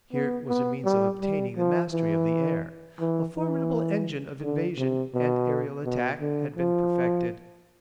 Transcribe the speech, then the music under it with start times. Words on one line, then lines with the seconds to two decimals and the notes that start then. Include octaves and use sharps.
Here was a means of obtaining the mastery of the air: a formidable engine of invasion and aerial attack had been perfected.
0.13 B3
0.49 B3
0.84 G3
1.21 G3
1.57 F3
1.92 E3
2.99 E3
3.34 E3
4.42 D3
4.78 C3
5.14 B2
5.85 B2
6.20 D3
6.56 F3